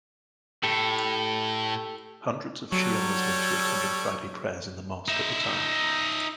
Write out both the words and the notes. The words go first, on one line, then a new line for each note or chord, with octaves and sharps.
Hundreds of Shia Muslims were attending Friday prayers in the mosque at the time.
A2 G4 A4
F#3 G3 A4 C#5
D#4 E5